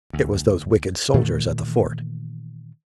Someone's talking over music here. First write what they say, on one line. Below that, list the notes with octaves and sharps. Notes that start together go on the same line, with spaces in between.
It was those wicked soldiers at the fort!
D2
A#2 D#3 E3 A3